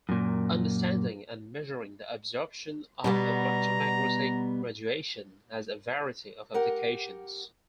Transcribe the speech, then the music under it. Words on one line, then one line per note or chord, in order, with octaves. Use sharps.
Understanding and measuring the absorption of electromagnetic radiation has a variety of applications.
F#2 A#2
B2 G3 B3 A#5
G4 A#4 F#5